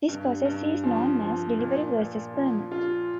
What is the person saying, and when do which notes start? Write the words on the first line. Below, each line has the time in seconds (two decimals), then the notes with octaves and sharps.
This process is known as delivery versus payment.
0.08 G2
0.45 G2
0.84 F3
1.21 F3
1.59 A#2
1.97 A#2
2.34 F3
2.71 F4